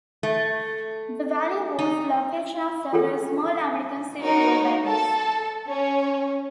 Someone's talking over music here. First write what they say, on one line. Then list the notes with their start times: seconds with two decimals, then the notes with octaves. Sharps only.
The valley was the location of several small American Civil War battles.
0.23 A3
1.79 D#4
2.93 F4 G#4 A4 C#5 G5
4.21 D#4 F#4 A#4 C#5
4.87 A4 A5
5.68 C#4 C#5